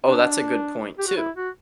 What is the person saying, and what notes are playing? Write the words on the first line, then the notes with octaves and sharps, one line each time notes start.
Oh, that's a good point, too.
D4
G4
F#4
E4
F#4